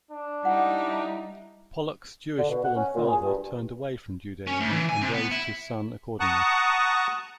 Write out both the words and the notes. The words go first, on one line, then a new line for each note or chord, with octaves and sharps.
Pollock's Jewish-born father turned away from Judaism, and raised his son accordingly.
D4
G3 D#4 E4 F#5
D3
B2
F#5
C#4
A#2
G#4
G2
C#4
D2
E3
G#5
C3
B3
E4
F#5 A5 A#5 C#6 D#6 F#6